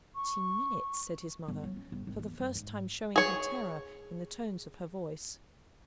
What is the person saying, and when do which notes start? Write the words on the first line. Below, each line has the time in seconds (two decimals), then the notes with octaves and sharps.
'Twenty minutes!' said his mother, for the first time showing her terror in the tones of her voice.
0.15 C#6
1.48 G1
1.64 F#3
1.76 C#4
1.92 G1
2.07 G#1
2.19 E2
2.40 F#2
2.55 G#2
3.16 G#4 C#5